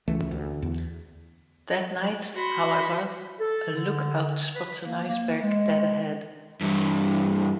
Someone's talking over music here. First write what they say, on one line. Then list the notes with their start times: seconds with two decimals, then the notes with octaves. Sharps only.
That night, however, a lookout spots an iceberg dead ahead.
0.08 C#2 E3 A3
0.31 D2
0.62 E2
2.35 F#4 B5 C6
3.40 A4
3.75 D3
4.55 B4
4.84 A#3
5.08 A#3
5.42 G#3
6.62 G2 E3